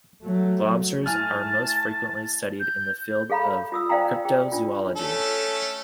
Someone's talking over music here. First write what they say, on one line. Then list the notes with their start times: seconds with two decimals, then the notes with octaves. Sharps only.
Globsters are most frequently studied in the field of cryptozoology.
0.23 F#3 A3
1.06 A2 G#5 A5 F6
2.60 G6
3.30 G#4 A4 F5 A#5 B5
3.72 F4 D#6 E6
3.89 C5 D5 F5 G5 G#5 A#5
4.25 G#4 G5
4.52 D4 F4
4.96 A3 C#4 A4